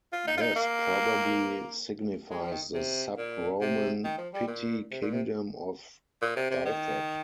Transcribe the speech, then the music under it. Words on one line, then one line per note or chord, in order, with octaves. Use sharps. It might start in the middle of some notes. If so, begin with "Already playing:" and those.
This probably signifies the sub-Roman petty kingdom of Dyfed.
F4
D#4
F4
D#4
A#3
G#3
F3
D#3
C3
A#2
C3
D#3
F3
G3
A#2
C3
A#2
C3
A#2
C3
C3
D#3